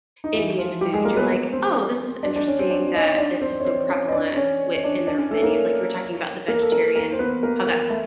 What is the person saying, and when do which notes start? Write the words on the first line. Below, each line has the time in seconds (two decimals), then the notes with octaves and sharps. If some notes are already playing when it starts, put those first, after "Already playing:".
Indian food, you're, like, "Oh, this is interesting that this is so prevalent wi in their menus." Like you were talking about the vegetarian how that's,
0.24 D#4
0.35 E3 E4
0.58 F3 F4
0.81 G3 G4
0.93 G#3 G#4
1.05 A#3 A#4
1.17 B3 B4
1.53 C4 C5
2.23 D4 D5
2.36 D4 D5
2.48 C#4 C#5
2.59 C4 C5
2.70 D4 D5
2.94 D#4 D#5
3.18 D4 D5
3.41 C4 C5
3.60 C#5
3.65 C4 C5
3.88 C#4 C#5
4.08 D#5
4.12 D4 D5
4.36 C#4 C#5
4.75 C#5
4.84 D4 D5
5.07 D4 D5
5.18 C#4 C#5
5.31 A3 A4
5.42 A#3 A#4
6.48 A#3 A#4
6.62 A4
6.72 A#3 A#4
6.96 A#3 A#4
7.13 C5
7.19 B3 B4
7.43 A#3 A#4
7.66 A#3 A#4
7.90 A3